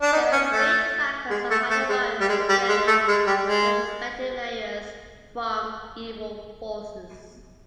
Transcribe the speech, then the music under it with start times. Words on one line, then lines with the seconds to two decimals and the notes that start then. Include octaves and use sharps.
They were great trackers and hardy warriors-defending their respective areas from evil forces.
0.02 D4
0.13 D#4
0.32 C#4
0.52 A3
1.30 G#3
1.51 A3
1.71 A3
1.89 G#3
2.21 G3
2.28 G#3
2.49 G3
2.68 G#3
2.87 A3
3.08 G#3
3.27 G3
3.46 G#3